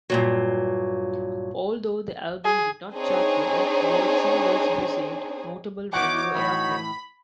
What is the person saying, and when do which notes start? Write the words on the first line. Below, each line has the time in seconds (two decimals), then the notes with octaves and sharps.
Although the album did not chart well, both singles received notable radio airplay.
0.10 G2 A#2 F#3
2.45 G#4
2.93 C4 D4 D#4 G#4 C#5
5.93 E2 D#4 F#4 C#5 F#5 D6
6.35 A2 E3 B5